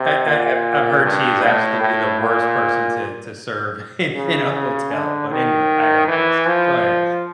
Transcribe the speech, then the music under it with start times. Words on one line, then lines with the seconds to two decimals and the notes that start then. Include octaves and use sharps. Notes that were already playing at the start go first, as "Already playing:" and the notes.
I I I've I've heard she is absolutely the worst person to to serve in in a hotel, but anyway, I digress, go ahead.
Already playing: C3
0.27 A#2
1.03 G2
1.42 A2
1.81 A2
2.20 A#2
4.14 C#3
4.53 C#3
4.92 D3
5.30 D#3
6.07 E3
6.46 F3